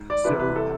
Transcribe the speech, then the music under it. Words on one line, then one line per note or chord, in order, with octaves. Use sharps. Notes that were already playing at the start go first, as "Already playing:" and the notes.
so I
Already playing: G#2
D5
C2 C3 E3 B4
B4
A4